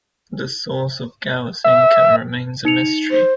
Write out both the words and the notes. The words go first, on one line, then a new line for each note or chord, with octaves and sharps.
The source of Gower's income remains a mystery.
E5
D#4 C#7 F7
C5